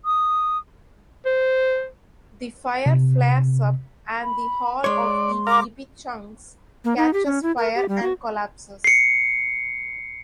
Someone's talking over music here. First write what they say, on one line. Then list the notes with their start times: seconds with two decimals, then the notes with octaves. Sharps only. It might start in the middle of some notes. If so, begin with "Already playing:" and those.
The fire flares up, and the hall of the Gibichungs catches fire and collapses.
0.05 D#6
1.26 C5
2.86 C3
4.23 B5
4.84 G#3 C#5 D5 C6
5.47 A#4 F5 D6
6.85 A#3
6.97 D#4
7.13 G4
7.26 C#4
7.43 E4
7.58 A#4
7.75 G4
7.88 G3
8.03 F#4
8.84 C7 C#7